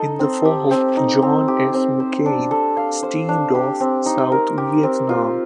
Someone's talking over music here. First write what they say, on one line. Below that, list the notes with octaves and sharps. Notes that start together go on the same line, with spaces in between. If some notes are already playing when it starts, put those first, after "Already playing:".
In the fall, "John S. McCain" steamed off South Vietnam.
Already playing: D#4 A4 D#5
C4
G4
C4
D#4
C4
G4
C4
C5
D4
A4
F5
C5
D4
G4
C4
D#4
A#4
G4
C4
F4